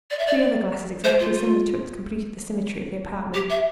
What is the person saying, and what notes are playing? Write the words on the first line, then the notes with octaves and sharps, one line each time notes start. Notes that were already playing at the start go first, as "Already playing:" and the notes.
Three other glasses, exactly similar to it, completed the symmetry of the apartment.
D5
E5
D5
C5
F4
F4
G4
E5